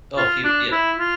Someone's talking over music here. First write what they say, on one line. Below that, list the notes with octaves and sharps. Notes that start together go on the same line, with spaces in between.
Oh, he w yeah.
F4
D4
E4
F4